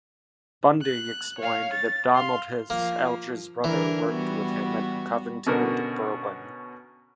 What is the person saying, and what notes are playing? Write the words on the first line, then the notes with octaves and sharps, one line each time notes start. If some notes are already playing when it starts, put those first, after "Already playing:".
Bundy explained that Donald Hiss, Alger's brother, worked with him at Covington and Burling.
F#6
C#5 F5
A6
F5 C6
F3 A#3
D3 E3 D4 A#4
G3 B3 F#4
B2 D3 C#4 F#4 A#4